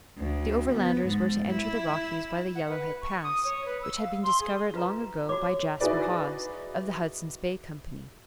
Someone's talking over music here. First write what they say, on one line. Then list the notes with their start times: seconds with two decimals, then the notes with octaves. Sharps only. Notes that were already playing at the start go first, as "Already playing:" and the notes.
The Overlanders were to enter the Rockies by the Yellowhead Pass, which had been discovered long ago by Jasper Hawse, of the Hudson's Bay Company.
0.19 D2
0.73 B3
1.07 G#2
1.49 E4
2.54 F#5
2.68 B4
3.01 C#6
3.22 D#6
3.43 C#5
3.64 B4
3.82 E6
3.97 F5
4.22 C6
4.39 G#4
4.74 F4 B4 A#5
5.29 F#4 C#5 D6
5.80 D#4 E4 F#4 G#4 B4 D5